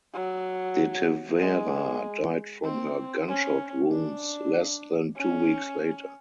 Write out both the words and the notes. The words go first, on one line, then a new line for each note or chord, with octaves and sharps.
De Tavera died from her gunshot wounds less than two weeks later.
F#3
G#3
C4
C#4
D4
C#4